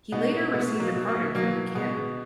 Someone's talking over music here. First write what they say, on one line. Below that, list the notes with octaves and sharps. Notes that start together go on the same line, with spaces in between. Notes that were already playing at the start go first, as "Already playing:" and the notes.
He later received a pardon from Buchanan.
B2 B3 D#4
B2 G#3 B3
F#3 A#3
B2
F#3 A#3
B2 F#3 A#3
B2 G#3 B3